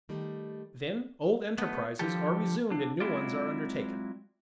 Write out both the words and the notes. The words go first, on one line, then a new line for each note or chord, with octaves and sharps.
Then old enterprises are resumed and new ones are undertaken.
D#3 G3 A3
A3 B3
D3 F3 G3 G4 A4
D3 D4
F#3 G#3 C4 E4 F4 D5